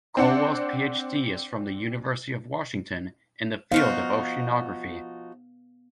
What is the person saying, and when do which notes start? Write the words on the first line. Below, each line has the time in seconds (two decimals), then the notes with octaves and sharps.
Colwell's Ph.D. is from the University of Washington in the field of oceanography.
0.17 C4 D4 F#5
3.72 F3 B3 D#4 F#4 F5